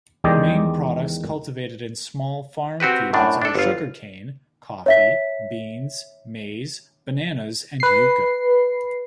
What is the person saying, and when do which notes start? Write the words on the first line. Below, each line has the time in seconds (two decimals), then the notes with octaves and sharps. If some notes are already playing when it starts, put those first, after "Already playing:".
Main products cultivated in small farmfields are sugarcane, coffee, beans, maize, bananas and yuca.
0.24 E2 D#3 G#3 G4 D5 D#5
2.80 C4 F#4 G4 B4
3.13 F#2 A2 D4
3.42 D4 A4
3.55 G1 F4
4.86 C#5 E5 B6
7.80 B4 C7